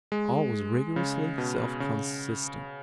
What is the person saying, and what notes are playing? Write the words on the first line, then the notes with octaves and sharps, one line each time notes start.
All was rigorously self-consistent.
G#3
C#3
B2
C#3